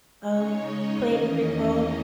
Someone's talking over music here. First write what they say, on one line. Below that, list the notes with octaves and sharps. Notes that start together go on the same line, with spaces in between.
um, played a big role
C#3 G#3 D#4 C#5
D#5
E2 D#3 A#3 C#4